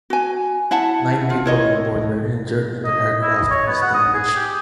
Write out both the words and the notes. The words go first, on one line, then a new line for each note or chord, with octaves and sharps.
Nine people on board were injured and the aircraft was damaged.
F#4 G#5
E4 E5 F#5 A5
F4
E4 C#5 D#5
D#5
E4
D#5
C#5
B3
F#5
D#6
G#4
G4